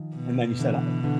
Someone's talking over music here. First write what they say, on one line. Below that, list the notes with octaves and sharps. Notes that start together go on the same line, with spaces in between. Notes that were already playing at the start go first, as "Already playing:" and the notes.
and then you said I
Already playing: D#3 F3
B2
D3 E3
D3 E3